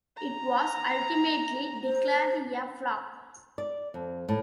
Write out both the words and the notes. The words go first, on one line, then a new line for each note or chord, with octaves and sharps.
It was ultimately declared a flop.
A#5
C5
D5
F2
A2